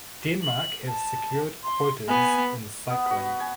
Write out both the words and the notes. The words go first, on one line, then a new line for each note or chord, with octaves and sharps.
Denmark have secured quotas in cycling.
F#7
A5
C6
B3 G#5
B3
F#4 B5
G#5